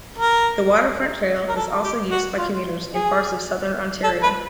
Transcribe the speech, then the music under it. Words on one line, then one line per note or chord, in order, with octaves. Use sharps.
The Waterfront Trail is also used by commuters in parts of Southern Ontario.
A#4
A#4
A4
G4
F#4
F4
G#4
A4
B4